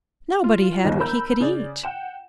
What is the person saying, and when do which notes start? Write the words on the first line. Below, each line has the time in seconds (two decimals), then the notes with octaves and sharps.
Nobody had what he could eat.
0.44 F4
0.84 G1 D#2 D#4
1.00 A#4 B5 E6 G6
1.40 C#3 D5
1.83 F#5 G5 E7